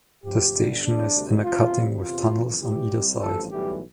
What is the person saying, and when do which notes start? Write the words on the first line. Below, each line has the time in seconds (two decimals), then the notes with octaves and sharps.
The station is in a cutting with tunnels on either side.
0.24 D2 C3 F3 G4
0.54 G1 G2 D3 G3
0.84 E2 C3 G3 D4
1.14 D2 C3 G3
1.43 G1 F2 C3 F4
1.73 F2 C3 G3
2.02 E2 C3 E3 F4
2.33 G1 F2 E3
2.62 A1 A2 E3 G3 G4
2.91 C2 C3 G3
3.21 A1 G2 F3 A4
3.51 B1 A2 E3 G3 G4